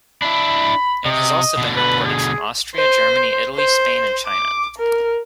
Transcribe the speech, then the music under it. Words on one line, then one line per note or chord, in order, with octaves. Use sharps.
It has also been reported from Austria, Germany, Italy, Spain and China.
D4 E4 B5
C3 D#5
B2 D3
B4
G#4
C5
C5
D6
A#4